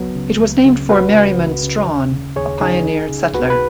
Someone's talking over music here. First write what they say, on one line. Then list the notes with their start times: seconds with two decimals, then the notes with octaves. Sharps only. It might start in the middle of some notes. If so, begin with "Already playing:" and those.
It was named for Merriman Straughn, a pioneer settler.
Already playing: C#2 F#3 B3
0.15 C#3
0.41 C#2
0.65 C#3
0.89 C#2 F#4 B4
1.14 C#3
1.38 C#2
1.63 C#3
1.87 D#2
2.12 C#3
2.36 D#2 G#4 C#5
2.60 C#3 D#4 G#4
2.86 C#2
3.10 C#3
3.34 C#2 F#4 B4
3.50 B4